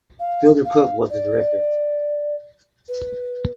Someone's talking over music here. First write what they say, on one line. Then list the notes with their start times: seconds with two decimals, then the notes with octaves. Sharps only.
Fielder Cook was the director.
0.19 F5
0.65 F5
1.09 D5
2.88 B4